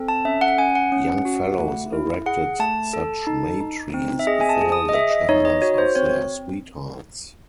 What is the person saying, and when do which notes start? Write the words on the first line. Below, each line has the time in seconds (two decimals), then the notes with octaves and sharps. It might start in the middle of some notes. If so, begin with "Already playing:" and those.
Young fellows erected such May-trees before the chambers of their sweethearts.
Already playing: C4 A4
0.08 A5
0.25 C#4 E5
0.41 F#5
0.58 C#4 G#5
0.75 F#5
0.92 C#4
1.25 F#4
1.59 A3
1.93 E4
2.26 G#4 F#5
2.59 A3 A5
2.93 A4
3.27 D#4
3.61 D#4
3.94 C4
4.19 E5
4.27 G#4 D#5
4.41 G#5
4.49 A5
4.61 G#4
4.72 D#6
4.89 D#5
4.94 G#4 E5
5.11 D#5
5.29 D#4 C#5
5.45 D#5
5.62 F#4 C#5
5.78 C5
5.95 C4 C#5